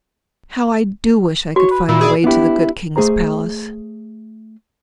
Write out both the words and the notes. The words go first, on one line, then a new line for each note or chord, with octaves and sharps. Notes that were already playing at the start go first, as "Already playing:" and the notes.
How I do wish I could find the way to the good king's palace!
F#4 C#5
B4
A#2 E4
G#4 D5
B3 D4 E4 G4
A3 G#4 C5 A#5